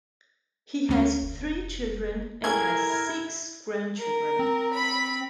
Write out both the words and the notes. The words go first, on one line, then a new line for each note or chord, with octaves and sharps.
He has three children and has six grandchildren.
D2 C#4
F1
D3 G3 G#3 E4 A#4 G#6
A#4
C4
B5